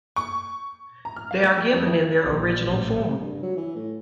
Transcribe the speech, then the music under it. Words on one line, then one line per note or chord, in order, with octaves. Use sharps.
They are given in their original form.
C#6
A#5
F6
F5
G3
G4
F2
E3
A#1
A1 G3
G2
F#3
E3
A2